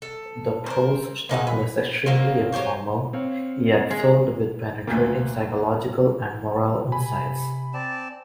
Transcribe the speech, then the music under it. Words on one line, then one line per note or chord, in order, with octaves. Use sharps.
The prose style is extremely informal, yet filled with penetrating psychological and moral insights.
A4
A#4 C5
A#3 D#4 G#4 F#5
B4
B2 A#3 C4
F#3 G4 C5 C#5
C4 C#5 F5
G#3
D2 A#2
C3 G#5 B5
C4 D5 A5